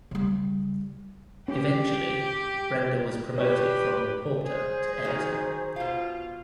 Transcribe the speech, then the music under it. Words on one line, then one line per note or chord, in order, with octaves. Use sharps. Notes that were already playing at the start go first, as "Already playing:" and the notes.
Eventually, Brenda was promoted from reporter to editor.
C#3 G3
C#4 G4
G4 B4 C#5 D5
G#4 C5
D#3 F#3 D#4
B2 F4 F5